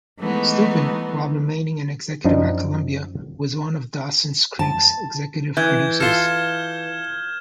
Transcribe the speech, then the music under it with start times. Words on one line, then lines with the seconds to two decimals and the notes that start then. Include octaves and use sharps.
Stupin, while remaining an executive at Columbia, was one of "Dawson's Creek's" executive producers.
0.20 E3 G#3 A3 B3 D#4
2.25 F#2 F3 D4 D#4
4.59 A5
5.57 E3 G6 G#6 G7
6.00 F4 A4 F6 E7 G7